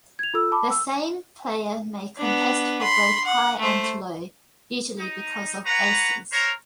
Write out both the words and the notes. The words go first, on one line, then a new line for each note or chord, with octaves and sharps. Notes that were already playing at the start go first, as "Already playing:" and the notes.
The same player may contest for both high and low, usually because of aces.
G#6 F7
F4 A4 E6
A5 B5 D6
E6
B3 D4
B5 C6
F#5
A3 C5
D#4
B4 C#5 F#5 A#5
A#4 C5 C#5 A#5